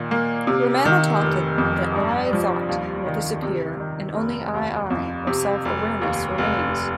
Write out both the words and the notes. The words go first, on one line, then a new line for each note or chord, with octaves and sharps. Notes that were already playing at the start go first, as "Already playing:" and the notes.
Ramana taught that the 'I'-thought will disappear and only "I-I" or Self-awareness remains.
Already playing: A#2 D#3
A#3
C3
D#3
F1
F2
G2
F3
D#2
D#3
C3
D#3
F1
D#2
F2
C3
F1
D#2
F1